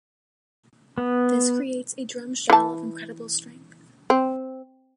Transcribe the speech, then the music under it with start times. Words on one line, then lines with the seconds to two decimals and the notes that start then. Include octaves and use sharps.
This creates a drum shell of incredible strength.
0.98 B3
2.50 E3 A5
4.10 C4